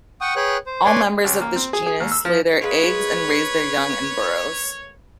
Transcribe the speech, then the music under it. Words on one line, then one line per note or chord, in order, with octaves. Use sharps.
All members of this genus lay their eggs and raise their young in burrows.
F#5 G5 C#6 D#6
G#4 B4 C#5 G5 F#6
C5
B4 C#5 D5 G#5 C6
C#2
A#3
C4
G#4
G#4
D#2
E6
F3
G#3 A#3 B4 C#5